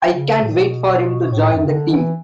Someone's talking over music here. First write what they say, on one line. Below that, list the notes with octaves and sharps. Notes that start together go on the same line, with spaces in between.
I can't wait for him to join the team.
C#3
A2
B2
A2
F#2
C#3
D3
E3